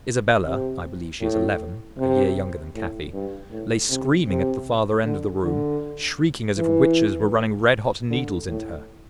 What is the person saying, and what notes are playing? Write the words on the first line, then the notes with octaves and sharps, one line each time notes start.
Isabella--I believe she is eleven, a year younger than Cathy--lay screaming at the farther end of the room, shrieking as if witches were running red-hot needles into her.
C3
A2
C3
A2
G2
A2
C3
C3
D3
D3
E3
D3
A2